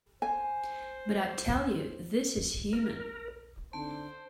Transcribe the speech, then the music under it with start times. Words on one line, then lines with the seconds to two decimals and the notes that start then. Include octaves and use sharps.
But I tell you — this is human.
0.22 C5 G#5
2.73 A#4
3.73 D3 C4 D#4 C5 A5 G6